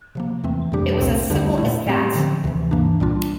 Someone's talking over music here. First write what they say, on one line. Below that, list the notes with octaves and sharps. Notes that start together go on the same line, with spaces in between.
It was as simple as that!
C3 F3 A#3
E2 E3 A3 C4
F2 C3 G3 D4 G4
C2 A#2 A3 C4
E2 D3 G3 D4 G4
A#2 A3 E4
A2 G3 C4 G4
D3 F3 C4
D2 C3 E3
G2 E3 A#3 D4
C2 A#2 G3 D4 F4